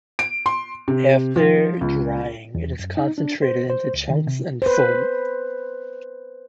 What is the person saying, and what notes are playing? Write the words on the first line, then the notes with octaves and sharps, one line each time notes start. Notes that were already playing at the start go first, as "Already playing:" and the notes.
After drying it is concentrated into chunks and sold.
D7
C6
C3
F3
C#2
E2
F#2
D#4
D4
C5
C5
C#2
D#3
C3
B4 C5